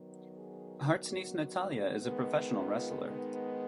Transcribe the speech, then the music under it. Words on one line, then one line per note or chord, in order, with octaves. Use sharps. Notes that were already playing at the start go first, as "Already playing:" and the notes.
Hart's niece Natalya is a professional wrestler.
Already playing: D#3 F#3 B3
G#4
F#4
D#3 G#3 B3
F4
D#4